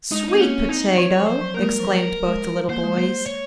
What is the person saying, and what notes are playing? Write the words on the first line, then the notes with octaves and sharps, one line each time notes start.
"Sweet potato!" exclaimed both the little boys.
G#3 D#4
C4 D#4
A#3 C#4
C4 D#4
F#3 C#5
F3
C5
F#3
A#3 A#4
G#3
F3
F#3
G#3
A#3 C5
G#3
A#3 C5
C#5